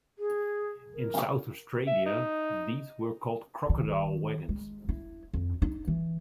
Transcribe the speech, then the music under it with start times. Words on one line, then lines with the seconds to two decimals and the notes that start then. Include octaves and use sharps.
In South Australia, these were called crocodile wagons.
0.19 G#4
0.94 A#4
1.87 E5
2.06 D#4
3.69 D#3
4.49 G#3
4.89 E4
5.33 F2
5.62 D#4
5.88 E3